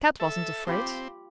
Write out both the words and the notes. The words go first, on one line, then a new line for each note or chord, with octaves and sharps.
Kat wasn't afraid.
A4 E5
C4 F4 G4 B5